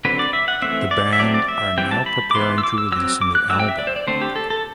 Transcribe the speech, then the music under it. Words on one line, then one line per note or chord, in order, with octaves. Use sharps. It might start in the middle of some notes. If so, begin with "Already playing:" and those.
The band are now preparing to release a new album.
D3 F#3 C4 B4
D5
E5
F#5
E3 A3 C4 E5
D5
E5
F#3 A3 C4 D5
D5
E5
E3 G3 C4 G5
A5
B5
D6
E3 B3 C6
E6
D6
E6
F#3 C4 E6
D6
F#6
F#3 A3 C4 E6
G5
E5
D5
C5
D5
D3 A3 C4 C5
G4
A4
A4